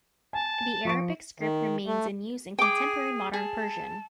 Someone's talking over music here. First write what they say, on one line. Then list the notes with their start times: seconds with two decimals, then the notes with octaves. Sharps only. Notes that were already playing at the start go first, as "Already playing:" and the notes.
The Arabic script remains in use in contemporary modern Persian.
0.33 G#5 A5
0.85 F3 C#6 D7
1.40 D#3
1.86 A3
2.59 G#4 G5 D6
3.33 G#4 A5